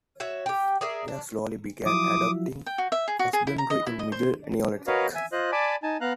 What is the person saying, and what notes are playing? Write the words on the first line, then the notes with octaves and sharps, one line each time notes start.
They slowly began adopting husbandry in middle Neolithic.
F#4 C#5 E5
G4 G5
G#4 A#4 D5 E5
D4
F3 F#3 E4 D6 D#6
G5
F#4
E5
G#4
F#4
G#4
E4
A#5
D#5
E4
D#5
C5
F#4 A#4 B4 C#5 D#5 F5
E5 G#5
F4 C5 D#5 F#6
D5 G#5 A5 B5 D6
D#4 G#5 A5
B3 F5 A#5 F#6